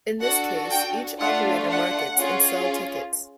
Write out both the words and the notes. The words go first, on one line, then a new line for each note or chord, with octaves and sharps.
In this case each operator markets and sell tickets.
D4 F#4 A4 F#5
G5
A3 D4 F4 F#5
F#5
C#4 F4 G#4